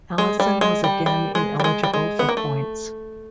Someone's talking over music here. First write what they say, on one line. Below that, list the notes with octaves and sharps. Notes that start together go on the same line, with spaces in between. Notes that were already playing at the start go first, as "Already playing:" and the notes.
Allison was again ineligible for points.
G#3
G3
G#3
G3
G3
G#3
G3
G#3
G3
G#3
B3
A#3
A3